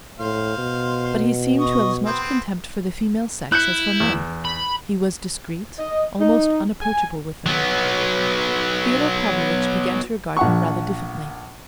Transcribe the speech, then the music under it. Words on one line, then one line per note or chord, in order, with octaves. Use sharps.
But he seemed to have as much contempt for the female sex as for men; he was discreet, almost unapproachable, with them. Fyodor Pavlovitch began to regard him rather differently.
A2 C5 F5
B2
D#5 C#6
B3 C4
E4 F#6 G6 C#7
E2
B5
D#5
D#4
G#5
F#3 B3
A#1 F#5 C#6